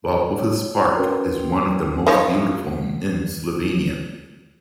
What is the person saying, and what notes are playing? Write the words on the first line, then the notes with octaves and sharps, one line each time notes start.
Valpovo's park is one of the most beautiful in Slavonia.
A4
C#5
C#4 F#4 A#4 B4 G5 C6
D#3 F3 C#5